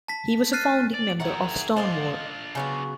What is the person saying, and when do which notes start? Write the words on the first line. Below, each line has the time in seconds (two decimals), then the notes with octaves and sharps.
He was a founding member of Stonewall.
0.08 A5 B6
0.53 F6 F#6 A6 C7 D#7
0.94 D5
1.20 D#3 G#4 E5 F#5 A#5
1.77 D4 F4 C5 D#5 F5
2.55 C#3 F#3 B3